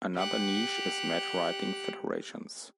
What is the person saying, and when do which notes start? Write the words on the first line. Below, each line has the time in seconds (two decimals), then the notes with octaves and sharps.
Another niche is match-writing federations.
0.15 G4 F#5